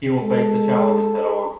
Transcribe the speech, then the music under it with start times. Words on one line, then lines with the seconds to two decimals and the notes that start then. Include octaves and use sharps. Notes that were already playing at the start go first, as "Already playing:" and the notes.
We will face the challenges head-on.
0.22 G#3 A4